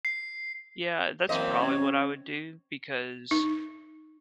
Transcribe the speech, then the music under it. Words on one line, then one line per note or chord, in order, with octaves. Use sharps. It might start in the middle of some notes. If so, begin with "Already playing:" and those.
Yeah, that's probably what I would do because,
C7
F#2 E3 A#3 C4 C5 D#5 E5
C#4 C#5
D#4